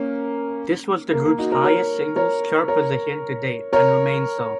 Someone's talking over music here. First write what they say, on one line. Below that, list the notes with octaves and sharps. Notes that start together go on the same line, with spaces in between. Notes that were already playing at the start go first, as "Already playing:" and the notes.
This was the group's highest singles chart position to date and remains so.
Already playing: A#3 C#4
A#3
A#3
D#4 F#4
F#4 A#4
A#4 C#5
A#4 C#5
A#4 C#5
A#4 C#5